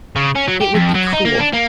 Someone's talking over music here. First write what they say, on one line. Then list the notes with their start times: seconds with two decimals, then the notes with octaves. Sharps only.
It would be cruel.'
0.16 C#3
0.36 C#4
0.48 F#3
0.61 G4
0.75 F2
0.95 F#3
1.13 D#4
1.25 A#3
1.40 D4
1.53 A#3